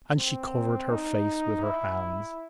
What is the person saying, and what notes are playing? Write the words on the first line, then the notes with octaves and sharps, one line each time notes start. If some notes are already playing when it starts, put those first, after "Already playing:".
And she covered her face with her hands.
C4
D#4
E4